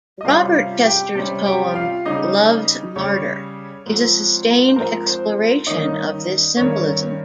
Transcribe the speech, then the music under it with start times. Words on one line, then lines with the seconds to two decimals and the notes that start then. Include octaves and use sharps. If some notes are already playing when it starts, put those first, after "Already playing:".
Robert Chester's poem "Love's Martyr" is a sustained exploration of this symbolism.
0.21 D#5
0.25 C3 G3 C#4 F4 F5
0.55 F4 F5
0.85 G4 G5
1.15 C3 G3 C#4
1.45 G4 G5
1.75 F4 F5
2.06 C#3 G3 C#4 D#4 D#5
2.96 C#3 G3 C#4 C#5
3.86 G#2 F3 C4
4.69 C5
4.76 G#2 F3 C4 A#4
5.06 C5
5.67 G2 D#3 A#3 C#4 D#4 D#5
6.57 G2 D#3 A#3 C#4 C#5